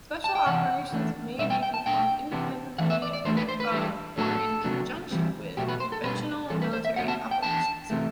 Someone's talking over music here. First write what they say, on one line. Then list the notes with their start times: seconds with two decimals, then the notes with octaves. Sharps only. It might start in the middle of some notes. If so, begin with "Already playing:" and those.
Special operations may be performed independently of or in conjunction with, conventional military operations.
0.24 A5
0.35 G5
0.46 C3 E3 F#5
0.92 E3 A3 D4
1.38 B2 G3 C4 E5
1.50 G5
1.63 G5
1.74 A5
1.86 B2 A3 D4 G5
2.32 C3 E3 B3 D4
2.78 E3 A3 D4 F#5
2.90 E5
3.02 D5
3.13 D5
3.25 E3 A3 D4 C5
3.37 B4
3.49 C5
3.60 B4
3.72 E3 G3 D4
4.18 A2 F#3 B3 D4 A4
4.64 C3 F#3 B3 D4
5.11 E3 G3 C4
5.57 B2 F#3 A3 G4
5.68 B4
5.80 C5
5.92 A4
6.04 B2 G3 D4 B4
6.50 E3 G3 C4 A4
6.62 B4
6.73 C5
6.85 E5
6.96 D3 F#3 B3 F#5
7.08 A5
7.31 G5
7.43 E3 B3 D4 A5
7.90 C3 E3 A3